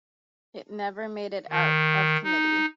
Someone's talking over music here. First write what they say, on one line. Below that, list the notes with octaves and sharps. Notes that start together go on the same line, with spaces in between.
It never made it out of committee.
D#3
D#4